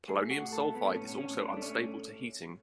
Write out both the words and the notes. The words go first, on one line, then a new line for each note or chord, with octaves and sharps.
Polonium sulfide is also unstable to heating.
A3 G#4
A3 F#4
A2
A4
A3
A2 B3
A2
C#4
A2
C#4
A2
A2 D4
A3
C#4
A2